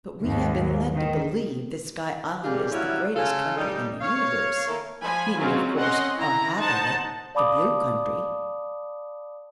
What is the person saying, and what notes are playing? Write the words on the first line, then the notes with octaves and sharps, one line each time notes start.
"But we have been led to believe that Sky Island is the greatest country in the universe--meaning, of course, our half of it, the Blue Country."
D#2 G#2
D#3
G3 G#3 A#3 F4 G4 G#4
F#3 G3 A3 C#4 E4 F4
C#3 F4 A4
G3 D#4
C#5 F5
D#3 A#3 E4 A4 A#4
F3 G#5 B5
F#3 G#3 C4 C#4 F4 G#4
C4 C#4 D#5 F#5 C6
E4 A#5
D#4 C5 F#5 A5
D5 F5 A5 B5 D6 D#6